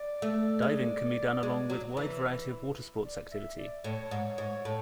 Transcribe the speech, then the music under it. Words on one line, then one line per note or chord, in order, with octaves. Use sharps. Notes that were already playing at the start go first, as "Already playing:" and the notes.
Diving can be done along with wide variety of water sports activity.
Already playing: D5
A3
G#3
G#3
F#3
E3
D5
E5
D5
A2 C#5
G#2
G#2
A2